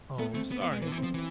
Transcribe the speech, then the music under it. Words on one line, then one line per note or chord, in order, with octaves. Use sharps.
Oh, I'm sorry.
A3 B3
A3 C4
B3
B3
G#3
E3 B3
D3
E3
C4
F3
E3